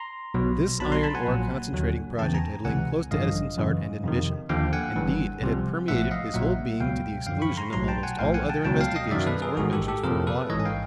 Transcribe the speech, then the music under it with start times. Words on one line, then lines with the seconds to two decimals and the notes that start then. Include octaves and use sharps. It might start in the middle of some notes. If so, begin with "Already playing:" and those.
This iron-ore concentrating project had lain close to Edison's heart and ambition--indeed, it had permeated his whole being to the exclusion of almost all other investigations or inventions for a while.
Already playing: A#5 C6
0.34 B1 B2 F#3
0.80 B1 B2 F#3 A5 B5
0.92 A#5 C6
1.03 A5 B5
1.15 F#5 G#5
1.27 A#1 A#2 F#3
1.73 D#2 D3 F#3
2.19 E2 C#3 E3 G5 A5
2.34 G#5 A#5
2.65 C#2 C3 E3 F#5 G#5
3.11 A1 G2 D3 F3 D#5 F5
3.57 F#2 C#3 E3
4.03 F2 C3 D#3
4.49 D#2 D3 F3 F5 G5
4.73 F#5 G#5
4.96 G1 G2 E3
5.42 C2 C3 F3
5.88 A#1 A2 F3 E5 F#5
6.11 D#5 F5
6.34 A#1 A#2 F#3 E5 F#5
6.80 C#2 B2 F#3 F5 G5
7.27 F#2 D3 F3 F5 G5
7.42 B5 C#6
7.57 A#5 C6
7.73 B1 A2 F#3 A#5 C6
7.88 G5 A5
8.03 F#5 G#5
8.19 B1 A2 F3 F5 G5
8.34 F#5 G#5
8.49 G5 A5
8.65 C#2 B2 F#3 G5 A5
8.80 F5 G5
8.96 D#5 F5
9.11 F#2 D#3 F#3 D5 E5
9.27 A4 B4
9.42 G#4 A#4
9.57 A1 G#2 D#3 F#4 G#4
9.73 G4 A4
9.88 G4 A4
10.03 F2 C3 F3 G#4 A#4
10.27 A4 B4
10.50 A1 G#2 E3 C#5 D#5
10.60 G#5
10.65 F5 G5